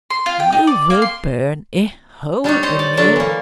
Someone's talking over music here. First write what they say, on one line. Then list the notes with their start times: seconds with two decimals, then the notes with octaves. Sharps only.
You will burn a hole in me.
0.10 C6
0.26 F4
0.40 G5
0.53 D#4
0.67 D5
0.90 A#3
1.02 C6
2.44 G3 D4 D#4 C#5
2.63 C5 C#5 D#5
2.79 D5
2.97 D3 F#3 D4 A4 A#4 C#5
3.16 E3 A#3